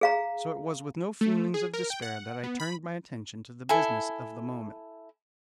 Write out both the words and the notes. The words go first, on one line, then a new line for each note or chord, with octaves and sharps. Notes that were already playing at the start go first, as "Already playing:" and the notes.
So it was with no feelings of despair that I turned my attention to the business of the moment.
G#4 F5 A#5
A3
G#4
A#4
G5
F#5
B3
B5
E4 A4 G#5